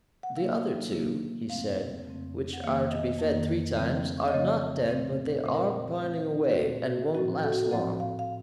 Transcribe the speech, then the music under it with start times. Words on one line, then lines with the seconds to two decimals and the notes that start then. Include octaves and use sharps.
'The other two,' he said, 'which are to be fed three times, are not dead, but they are pining away, and won't last long.'
0.23 F#5
0.36 C3 F#3 A#3 F5
0.93 C3 F#3 A#3
1.49 F2 C#3 A3 C4 F5
2.05 F2 C#3 A3 C4
2.53 F#5
2.62 F2 D#3 A#3 F5
2.91 D#5
3.19 F2 D#3 A#3
3.75 C#3 F3 A3 C4
4.28 D#5
4.32 C#3 F3 A3 C4 C#5
4.89 A#2 A3 C4
5.45 A#2 A3 C4 C5
5.54 A#4
5.62 C5
6.02 A#2 A3 C4
6.51 F#4
6.58 A#2 A3 C4 A4
6.86 F#4
7.15 A2 F3 C4 F#4
7.43 A4
7.52 F#4
7.62 A4
7.71 A2 F3 C4 F#5
8.00 F5
8.19 F5